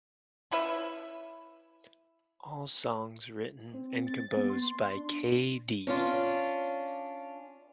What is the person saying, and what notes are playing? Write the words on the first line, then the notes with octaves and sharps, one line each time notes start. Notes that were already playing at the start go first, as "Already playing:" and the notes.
All songs written and composed by k.d.
C#4 E4 B4 E5
C4
C4
A6
B3
C6
D4
C#4 D4 F4